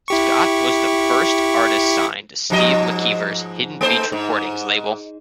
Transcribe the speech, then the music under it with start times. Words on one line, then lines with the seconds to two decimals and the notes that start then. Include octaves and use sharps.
Scott was the first artist signed to Steve McKeever's 'Hidden Beach Recordings' label.
0.08 E4 G4 C#6
2.50 G#2 F3 D#5
3.81 A3 C5
4.12 G#2